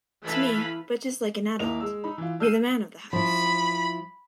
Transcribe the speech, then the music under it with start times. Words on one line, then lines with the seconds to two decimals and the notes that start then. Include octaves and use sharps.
To me, butch is like an adult...You're the man of the house.
0.22 E3 E4 A4 B4 F5 B5
1.59 D#2 A#3 E4 A#4 D#5 F7
1.80 G#3 E6
2.04 D#4 B5
2.18 E3 F4
2.40 E6 F6 G6 C7 D#7 E7
3.13 F3 E4 B5